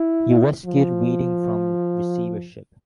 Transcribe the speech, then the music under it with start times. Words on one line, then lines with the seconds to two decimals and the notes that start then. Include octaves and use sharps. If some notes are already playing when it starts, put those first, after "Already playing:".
He rescued Reading from receivership.
Already playing: E4
0.66 F3